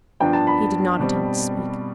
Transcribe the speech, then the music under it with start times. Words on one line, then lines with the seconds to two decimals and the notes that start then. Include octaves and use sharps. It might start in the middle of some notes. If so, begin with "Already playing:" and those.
He did not attempt to speak.
0.20 G2 F3 B3 D4 G5
0.33 A5
0.47 B5
0.99 B2 G3 C4